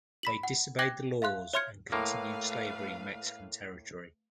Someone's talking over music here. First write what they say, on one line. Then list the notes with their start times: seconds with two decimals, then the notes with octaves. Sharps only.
They disobeyed the laws and continued slavery in Mexican territory.
0.23 B5 B6 F#7
0.43 F#5
0.79 G5 D6 F#6 G#6 A#6 F#7
1.22 E5 F5 C6 F#6
1.54 C#5 E5 C6 F6 G#6 C#7
1.92 A2 A3 A#3 B4 F5